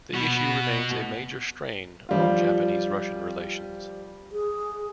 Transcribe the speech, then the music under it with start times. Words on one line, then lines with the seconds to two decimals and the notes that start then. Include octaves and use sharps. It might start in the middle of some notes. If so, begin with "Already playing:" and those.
The issue remains a major strain on Japanese-Russian relations.
0.14 B3 F#4
2.09 F3 G3 F4
4.32 G#4